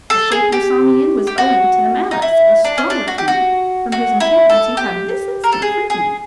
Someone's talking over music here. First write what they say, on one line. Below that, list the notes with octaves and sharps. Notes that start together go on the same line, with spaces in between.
The shape you saw me in was owing to the malice of a stronger king, from whose enchantments you have this instant freed me.
A4
G#4
G4
G4
F#4
D#4
E4
D4
C#4
D4
F#4
G4
F#4
F#4
E4
A4
G4
A#4
A4
G#4
G#4